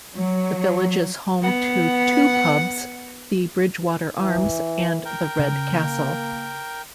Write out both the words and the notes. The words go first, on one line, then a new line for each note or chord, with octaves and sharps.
The village is home to two pubs, The Bridgewater Arms and the Red Castle.
F#3
B3 F#5
E3
A#4 G5
C#3
A#3